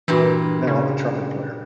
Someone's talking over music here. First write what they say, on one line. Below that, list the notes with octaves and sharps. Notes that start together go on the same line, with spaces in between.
No, I'm a trumpet player.
G2 A#2 E3 F#4 B4 A#5
C#3